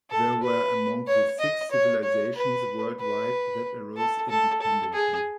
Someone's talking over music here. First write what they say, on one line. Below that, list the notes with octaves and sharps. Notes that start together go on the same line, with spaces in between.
These were among the six civilizations worldwide that arose independently.
A4
B4
C#5
D#5
C#5
C#5
B4
B4
A4
A4
A4
G#4